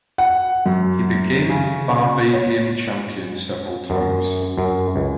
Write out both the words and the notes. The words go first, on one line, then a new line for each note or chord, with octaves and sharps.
He became Barbadian champion several times.
F#5
F#2
C#3
C#5
F#2
F#2
C#2